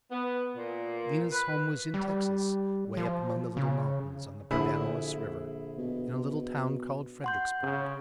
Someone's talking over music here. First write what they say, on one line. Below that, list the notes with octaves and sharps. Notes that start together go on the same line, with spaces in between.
Lena's home was in Texas, away up among the little mountains on the Pedernales River, in a little town called Fredericksburg.
B3
A#2
B4
G3
F3
C#3
A#1 D3 E4 G#4 B5
B2
F#5 C6 G6
C#3